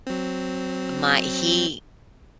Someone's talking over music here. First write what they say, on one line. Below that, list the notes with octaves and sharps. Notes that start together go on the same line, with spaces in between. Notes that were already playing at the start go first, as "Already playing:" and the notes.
My he
F#3 C4